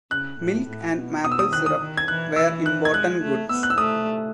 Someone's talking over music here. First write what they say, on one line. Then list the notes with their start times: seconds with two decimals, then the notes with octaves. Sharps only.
Milk and maple syrup were important goods.
0.11 C#3 F#6
0.40 A2
0.67 A2
0.96 B2
1.24 B2 D#6
1.32 E6
1.39 D#6
1.52 D#3 F#6
1.66 D#6
1.80 D#3
1.97 G#6
2.08 E3 F#6
2.36 E3 E6
2.66 F#6
2.85 G#6
2.93 G#3 F#6
3.22 A3
3.49 B3 E6
3.63 F#6
3.70 E6
3.78 A3 D#6